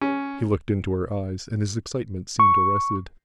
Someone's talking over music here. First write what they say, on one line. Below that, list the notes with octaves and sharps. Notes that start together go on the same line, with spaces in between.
He looked into her eyes, and his excitement seemed arrested.
C#4
C#6